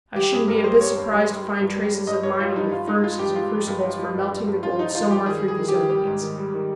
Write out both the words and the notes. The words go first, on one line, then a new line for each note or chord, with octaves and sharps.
I shouldn't be a bit surprised to find traces of mining with furnaces and crucibles for melting the gold somewhere through these openings.
G3 G4
G2 G#4
G2 A#4
G3 C5
G2 C#5
G2
G2
G3
G3
G2
G3
G3
G2 D#5
G2 C#5
G3 F4
G2 D#4
G2 F4
G#3 D#4
G#3 F4
G2 G4
G#3 F4
F3
G2
F3
F3
G2
G2
G2
G2 F4
F3 D#4
D#4
F3 F4
G2 G4
D#3 G#4
G3
G#4
D#3
G4
D#3
G3 G4
G#2
D#3
G3
D#3